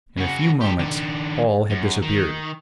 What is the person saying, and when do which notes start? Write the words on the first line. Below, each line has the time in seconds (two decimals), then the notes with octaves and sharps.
In a few moments, all had disappeared.
0.18 C#3 F#4
0.61 G4 A4
0.79 D#3 D4
1.70 F#2
2.03 D#3